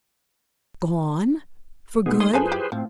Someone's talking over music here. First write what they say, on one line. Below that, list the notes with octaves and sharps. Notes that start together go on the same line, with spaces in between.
"Gone--for good?"
B2 A3 B3 D#4 G#4
G#3 C#5 C6 D#6
F#2 G#3 F4 G#4 A4 B4 C5 G#5
E4 G4
A2 F3 C4